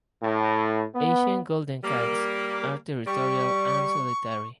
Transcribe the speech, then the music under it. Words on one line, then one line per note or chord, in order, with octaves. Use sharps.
Asian golden cats are territorial and solitary.
A2
B3
G3 A#3
G3 C#6